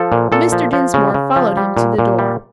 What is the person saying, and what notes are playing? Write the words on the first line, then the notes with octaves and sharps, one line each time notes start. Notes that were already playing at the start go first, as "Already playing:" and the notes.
Mr. Dinsmore followed him to the door.
Already playing: F3 A4
A#2
A#2 A4
F3
F3
C#3
C#3
F3
G3
A#2
A#2
G3